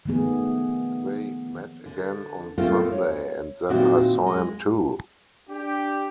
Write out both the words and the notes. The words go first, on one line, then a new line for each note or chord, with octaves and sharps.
They met again on Sunday, and then I saw him too.
D#3 F3 A3 B3 G#4
D3
A3 B3 C4 F4 A4 A#4
C#5
A#2 D#3 C4 E4 F#4 D5
G#3
D4 G4